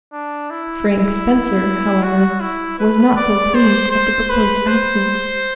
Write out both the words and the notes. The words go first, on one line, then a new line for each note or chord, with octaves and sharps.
Frank Spencer, however, was not so pleased at the proposed absence.
D4
E4
E4
F#4
E4
B4
D5
C5
C5
B4
C5